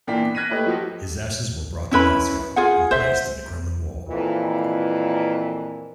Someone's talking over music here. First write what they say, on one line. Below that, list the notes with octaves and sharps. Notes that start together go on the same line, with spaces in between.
His ashes were brought to Moscow and placed in the Kremlin wall.
A#2 E3 A#3 D4 G5 B6
B3
F#6 G#6 A#6 B6 D#7
A3 A#3 G4 B4 D#5
F3 F#4 G4 A4
C#4 E4 B4 B5
F4 G#4 F#5
C5 E5
F2 A#2 E3